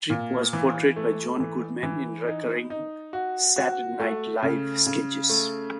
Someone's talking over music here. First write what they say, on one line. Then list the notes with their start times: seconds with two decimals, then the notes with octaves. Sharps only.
Tripp was portrayed by John Goodman in recurring "Saturday Night Live" sketches.
0.10 A#2
0.53 E3
0.96 A3
1.40 E3
1.83 E3
2.27 D#4
2.70 D#4
3.13 F#4
3.56 F#4
4.00 A3
4.43 C#3
4.86 C#3
5.29 A3